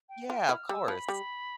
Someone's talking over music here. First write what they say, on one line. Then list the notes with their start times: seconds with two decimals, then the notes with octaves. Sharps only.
Yeah, of course.
0.09 G5
0.29 F4 G5
0.49 E4 F6
0.68 G3 E6
0.88 F3 B5
1.08 G3